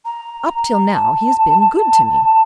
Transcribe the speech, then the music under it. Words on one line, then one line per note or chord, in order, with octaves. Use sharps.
Up till now he has been good to me.
A#5
A5